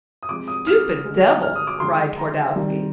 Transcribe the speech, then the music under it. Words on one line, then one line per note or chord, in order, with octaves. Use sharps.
"Stupid devil!" cried Twardowski.
D#6
C3 F3 G#3 D6
D#6
F6
D3 G#3
F6
D#6
D6
D3 F3 G#3 C6
A#5
C3 D#3 G3